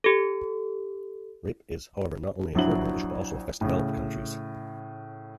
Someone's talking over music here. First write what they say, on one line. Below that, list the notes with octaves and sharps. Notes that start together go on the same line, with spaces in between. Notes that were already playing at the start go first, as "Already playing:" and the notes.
Rape is, however, not only a third world issue but also affects developed countries.
G4 A4
A#1 F#3 D4 E4 F#4 F#7
A2 C#3